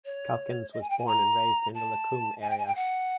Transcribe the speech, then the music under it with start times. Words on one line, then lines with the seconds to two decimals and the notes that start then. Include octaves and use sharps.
Calkins was born and raised in the Lacombe area.
0.05 C#5
0.72 D#5
0.81 G#5
0.89 G5
0.98 G#5
1.06 A#5
1.73 A5
2.41 G#5
2.49 G5
2.57 G#5
2.66 G5
2.74 F#5